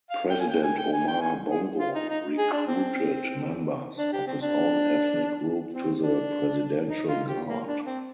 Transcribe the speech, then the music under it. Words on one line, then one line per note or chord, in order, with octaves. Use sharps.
President Omar Bongo recruited members of his own ethnic group to the Presidential Guard.
F5
G5
G#5
G5
G#5
G5
G#5
G5
G#5
G#4
F4
D#4
D#4
G#4
D4
C4
D4
G4
C4
D4
C4
D4
D#4
F4
G4
A#3
D4
C4